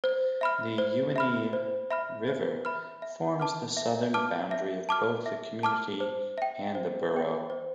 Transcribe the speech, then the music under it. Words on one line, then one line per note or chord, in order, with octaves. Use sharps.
The Ewenny River forms the southern boundary of both the community and the borough.
C5
E5 B5 F6
C5
E5 B5 F6
C5
E5 B5 F6
C5
E5 B5 F6
E5
A5 D6 F6
E5
A5 D6 F6
E5
A5 D6 F6
E5
A5 D6 F6
C5
E5 G5
C5
E5 G5
C5